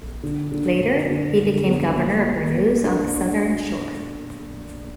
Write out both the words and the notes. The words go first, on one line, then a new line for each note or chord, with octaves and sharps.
Later, he became governor of Renews on the Southern Shore.
D3
D3
D3
D3
D3
B3
A#3
A#3
A#3
D4